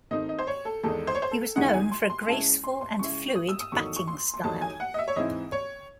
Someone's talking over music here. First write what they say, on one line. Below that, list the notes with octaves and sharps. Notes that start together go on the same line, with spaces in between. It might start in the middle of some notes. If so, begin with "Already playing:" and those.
He was known for a graceful and fluid batting style.
D#3 A3 C4 D#4 D#5
D#5
C5
C#5
A4
E2 D#3 G#3 D#4 A4
C5
C#5
C5
A4
E2 D#3 G#3 D#4 F#5
F#5
G#5
C6
C6
C6
C#3 G#3 C#4 E4 A5
C6
C6
C#3 G#3 C#4 E4 C#6
D#6
E6
D#6
E2 D#3 F#3 A3 D#4 C#6
C#6
C6
C6
E2 D#3 F#3 A3 D#4 A5
G#5
F#5
D#5
E5
C#5
G#2 E3 C4 E4 D#5
C#5